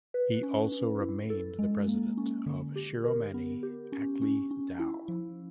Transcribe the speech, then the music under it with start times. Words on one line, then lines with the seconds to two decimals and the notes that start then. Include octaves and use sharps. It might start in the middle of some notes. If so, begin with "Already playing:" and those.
He also remained the President of Shiromani Akali Dal.
0.14 B4
0.43 C#4
0.72 C#4
1.00 E4
1.30 A4
1.59 G#3
1.88 A#3
2.17 C#4
2.46 D3
2.76 G4
3.04 A#4
3.34 B3
3.63 G4
3.92 C#4
4.22 C#4
4.51 C#4
4.80 E4
5.08 F3